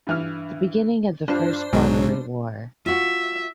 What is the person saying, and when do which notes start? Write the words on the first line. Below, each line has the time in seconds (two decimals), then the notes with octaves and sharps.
The beginning of the First Barbary War.
0.07 G2 E3 F6
1.28 G2 D4 F4 C5
1.73 B1 G#2 B2 F#3
2.86 F4 F#4 E5